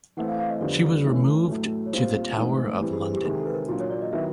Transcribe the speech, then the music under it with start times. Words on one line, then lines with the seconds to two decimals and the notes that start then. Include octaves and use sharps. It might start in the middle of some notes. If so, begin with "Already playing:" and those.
She was removed to the Tower of London.
0.17 E3 A3 C4 F#5
0.28 F5
0.39 F5
0.50 D#5
0.61 F2 D3 G3 B3 D5
1.05 E3 A3 C#4
1.49 A2 F#3 A3
1.86 C#5
1.93 A#2 G3 C4 F4 C5
2.36 A2 E3 G#3 C4 D#4
2.81 E3 G3 C4
2.92 G#4
3.02 G#4
3.14 G4
3.24 C3 D#3 G#3 G#4
3.39 A4
3.47 B4
3.54 A#4
3.68 A#2 F#3 A#3 D4
3.80 C#5
3.90 D5
4.02 D#5
4.13 D#3 F#3 B3 E4 E5